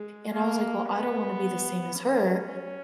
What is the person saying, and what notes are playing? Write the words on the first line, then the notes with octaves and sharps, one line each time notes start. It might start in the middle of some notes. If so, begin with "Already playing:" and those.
and I was like, "Well, I don't wanna be the same as her,
Already playing: G#3
A#3
B3
C#4